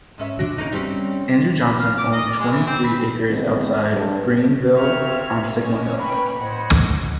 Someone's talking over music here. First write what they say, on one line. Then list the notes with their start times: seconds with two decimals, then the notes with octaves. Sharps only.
Andrew Johnson owned twenty-three acres outside Greeneville on Signal Hill.
0.18 G#2 C#4 E5
0.39 D4 F#4
0.58 A#3 C#4 D#4
0.72 G3 C4 C#4
1.62 B4
1.79 F5
1.98 D6
2.13 D#5
2.27 D5
2.39 G#3
2.52 E3
2.67 C4
2.83 B4
3.30 D3 D#3 F3 G#3 B3 C4
3.90 G2
4.73 C4 F4 A#4 C#5 E5 C#6 F6
5.06 F5
5.57 A#3 C#4 D#5
5.99 B4 G5 B5
6.39 A2 C5 C#5 D#5 F#5